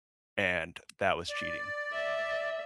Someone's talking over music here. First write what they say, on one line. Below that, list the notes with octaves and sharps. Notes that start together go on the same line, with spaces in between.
and that was cheating.
D5
E5